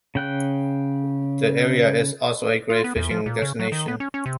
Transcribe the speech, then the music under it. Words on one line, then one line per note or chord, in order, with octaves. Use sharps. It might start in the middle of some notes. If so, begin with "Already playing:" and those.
The area is also a great fishing destination.
C#3 G5 F#6
F4
B3
E2
F3
A#2
C#3
F#3
D#3
B3
C#4
C#4
C3